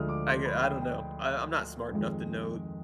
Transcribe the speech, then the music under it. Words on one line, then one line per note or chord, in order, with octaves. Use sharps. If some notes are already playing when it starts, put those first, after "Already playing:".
I I don't know, I I'm not smart enough to know
Already playing: D2 D3 F3 G#3 D#6 F6
D6
C6
B5
G5
G5
F2 D#3 G#3